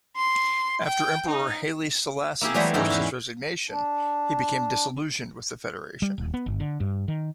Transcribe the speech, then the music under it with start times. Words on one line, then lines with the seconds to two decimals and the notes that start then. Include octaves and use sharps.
After Emperor Haile Selassie forced his resignation he became disillusioned with the Federation.
0.16 C6
0.85 G5
1.28 D#4
2.41 A#3 E4 G4 G#4
2.54 E3 F#3 G3 A3 B3 C5
2.74 G#2 E3 C#4 D#4 E4
2.90 E2
3.70 D4
6.02 G3
6.18 D#1
6.34 B3
6.46 G1
6.60 D3
6.80 G2
7.08 D#3